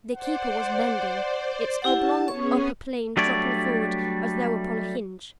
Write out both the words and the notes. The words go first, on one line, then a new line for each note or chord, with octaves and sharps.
The Keeper was bending; its oblong upper plane dropping forward as though upon a hinge.
C5 D5 F#5
E4 G4 F#5 A5
B3 C#4 G#4 C#5 C#6
F#3 G3 A3 D4 C#5 D5